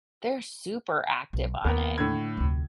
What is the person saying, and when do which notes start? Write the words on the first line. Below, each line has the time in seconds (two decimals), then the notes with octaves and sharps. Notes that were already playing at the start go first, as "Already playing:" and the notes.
they're super active on it
1.33 B1
1.65 D#2 A#3 B3 A#4
1.98 A2 D3 G#6
2.37 F1 D2